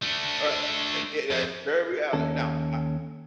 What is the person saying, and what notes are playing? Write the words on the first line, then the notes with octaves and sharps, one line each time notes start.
Right, and and that's very reality now, I
A3 D4
F2
D#2 C#4 A4